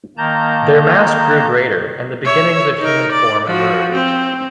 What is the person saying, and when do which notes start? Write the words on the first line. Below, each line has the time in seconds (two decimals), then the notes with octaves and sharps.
Their mass grew greater, and the beginnings of human form emerged.
0.18 D#3 A#3 A5 A#5 G6
2.25 C#5 E5
2.80 D#4 A#4
3.12 D5
3.46 F3 F#4
3.92 C4